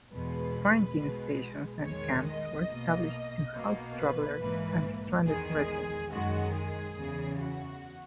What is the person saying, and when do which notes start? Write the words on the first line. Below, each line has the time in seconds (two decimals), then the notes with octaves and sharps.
Quarantine stations and camps were established to house travelers and stranded residents.
0.13 E2 B2 G#3 B4
0.99 B2 G#3
1.83 E2 D#3 G#3 C#5
2.27 D#5
2.69 B2 A#3
3.55 B2 A#3
3.97 B4
4.40 G#2 E3 A#3
5.25 E2 D#3 G#3 G#4
6.11 F#2 D#3 G#3 F#4
6.53 G#4
6.96 E2 C#3 E3
7.39 F#4